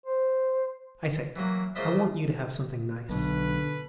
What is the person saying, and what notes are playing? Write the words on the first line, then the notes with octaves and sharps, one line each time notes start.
I say, I want you to have something nice.
C5
E3 F#3 A#3
C#3 A#3 F4 C5 D#5 E5
B1 B2 D3 B4